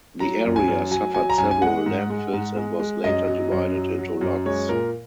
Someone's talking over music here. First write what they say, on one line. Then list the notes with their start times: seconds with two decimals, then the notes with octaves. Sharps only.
The area suffered several landfills and was later divided into lots.
0.20 F#3 A#5
0.45 F#2
0.56 G#5
0.68 F#2
0.91 F#3 G#5
1.14 F#3 G#5
1.30 A#5
1.38 F#2 G#5
1.51 G#5
1.62 G#3 F#5
1.86 G#2
2.10 G#3
2.33 G#2
2.57 G#3
2.80 G#3
3.04 F#2 D#5
3.28 F#3
3.51 F#2
3.75 F#3
3.99 F#3
4.21 F#2
4.46 G#3 C#5
4.69 A#2 A#4